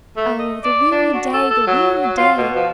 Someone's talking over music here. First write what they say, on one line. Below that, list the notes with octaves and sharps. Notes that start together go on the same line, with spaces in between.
Oh, the weary day! the weary day!
A3
D#5
D5
D4
F#4
A4
A4
F#3
F#3
F4
B2
F3